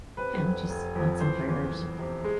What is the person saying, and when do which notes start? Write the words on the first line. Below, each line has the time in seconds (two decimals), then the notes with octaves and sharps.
you know, just want some prayers or
0.17 C3 B4
0.43 F1
0.70 F1
0.96 F2
1.20 E3 C5
1.47 E2
1.73 E2
1.99 C3
2.24 G#3